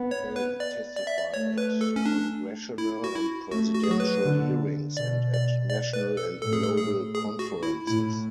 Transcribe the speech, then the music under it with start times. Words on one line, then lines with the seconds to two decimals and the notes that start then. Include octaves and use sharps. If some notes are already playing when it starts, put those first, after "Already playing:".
They testify at Congressional and Presidential hearings and at national and global conferences.
Already playing: B3
0.11 C#5
0.36 B4
0.60 D5
0.96 D5
1.07 E5
1.18 D5
1.34 A3 C#5
1.58 B4
1.81 A4
1.96 C#4
2.05 D4
2.78 E4
3.04 F#4
3.15 E4
3.51 A3 F#4
3.75 F#4
3.84 G#4
3.88 F#3 F#4
4.00 B4
4.24 D3
4.97 B2 D5
5.34 D5
5.70 D5
5.93 B4
6.17 A4
6.41 A2 A4
6.53 G#4
6.64 A4
6.78 G#4
7.15 G#4
7.39 F#4
7.63 E4
7.87 A2 E4